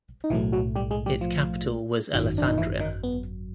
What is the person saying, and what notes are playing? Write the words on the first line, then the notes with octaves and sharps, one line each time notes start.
Its capital was Alessandria.
D#4
B1 A2 E3 F#3 A3 E4
F#3 F#4
G3 G4
G#3 G#4
G3 G4
F3 F4
G#1 F#2 D#3 F#3
D4
D#4
E3 E4
D#3 D#4
B3